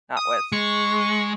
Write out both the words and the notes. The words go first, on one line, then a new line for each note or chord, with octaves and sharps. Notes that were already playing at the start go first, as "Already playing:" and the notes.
not with
D#6
G#3 C#6